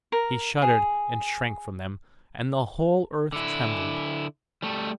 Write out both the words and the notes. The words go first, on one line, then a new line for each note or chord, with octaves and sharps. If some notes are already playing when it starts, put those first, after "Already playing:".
He shuddered and shrank from them, and the whole earth trembled.
A#4
G#4
D3 E4
G3 A3